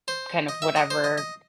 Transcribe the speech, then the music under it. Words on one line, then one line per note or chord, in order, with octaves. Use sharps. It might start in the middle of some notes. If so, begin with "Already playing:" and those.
kind of whatever
C5
D#5
E5
D#5
C5
D#5
D#5